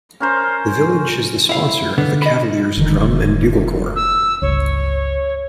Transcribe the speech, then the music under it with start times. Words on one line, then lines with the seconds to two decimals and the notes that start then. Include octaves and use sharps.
The village is the sponsor of the Cavaliers Drum and Bugle Corps.
0.20 C#4 A#4 C5
1.49 E4 F5
1.98 D3 B3
2.22 D#5 B5
2.77 F1 D3 D#3
3.96 E6
4.42 G1 C#2 C#5